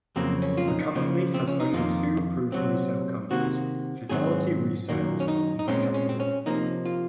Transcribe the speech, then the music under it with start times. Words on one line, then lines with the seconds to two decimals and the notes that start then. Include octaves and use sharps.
The company has only two approved resale companies, Fidelity Resales and Vacatia.
0.16 F2 C#3 F#3 A#3 C4
0.42 C#4
0.57 F4
0.68 D#4
0.95 C#3 F3 A#3
1.34 C4
1.48 C#4
1.60 D#4
1.73 F2 D#3 A#3 F4
2.52 C3 F#3 C4
3.31 C3 D#3 A#3 F#4
4.10 G#2 D#3 F#3 C4 G#4
4.89 F#2 D#3 A#3
5.20 C#4
5.28 D#4
5.59 D#4
5.68 A#2 G#3 C4 C#4
5.94 C#4
6.09 C4
6.20 C#4
6.46 C3 F3 A#3 D#4
6.86 F4